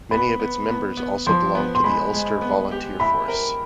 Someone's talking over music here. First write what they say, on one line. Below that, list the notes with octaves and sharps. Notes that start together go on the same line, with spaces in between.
Many of its members also belonged to the Ulster Volunteer Force.
B3 B5
B3
B3
B3
F3 C6
B3
C6
G#3 B5
G#3
B3
G4
E4 B5
A#4